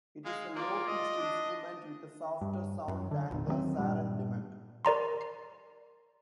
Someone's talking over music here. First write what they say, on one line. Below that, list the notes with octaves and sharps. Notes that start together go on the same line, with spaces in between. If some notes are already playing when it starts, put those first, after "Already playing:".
It is a low-pitched instrument with a softer sound than the saron demung.
G#3 F5
A#3 F4 D5
D#5
D4
G2
F#2
D3
G#1 E2 A#2
D#3 F#3 G#3 C4
G2 A#2 G3
A#4 D5 A#5 C6